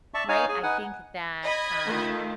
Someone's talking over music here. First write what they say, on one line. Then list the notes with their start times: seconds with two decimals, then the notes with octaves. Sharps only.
right? I think that, um,
0.14 D5 E5 A5 C#6
0.29 D#4 C#5 F5 G#5
0.49 G#4 G#5
0.63 D#4 B4 F#5 G#5
1.43 D#5 B5 G#6
1.86 D#3 A3 F4